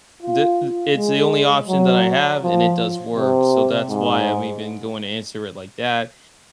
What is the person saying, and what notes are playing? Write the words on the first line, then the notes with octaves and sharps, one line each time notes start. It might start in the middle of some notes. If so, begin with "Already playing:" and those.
Thi i it's the only option that I have and it does work. So, that's why I'm even going to answer it like that,
F4
G#3
F#3
F3
C3
G#2